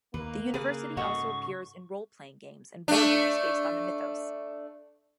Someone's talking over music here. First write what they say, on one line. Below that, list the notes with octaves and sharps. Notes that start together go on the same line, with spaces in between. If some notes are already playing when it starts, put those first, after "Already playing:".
The university also appears in role-playing games and board games based on the mythos.
D#2 A#3 B4
C#3 G#4 B4
G#2 C#3 F#4 A4 D#5 C#6
A3 D4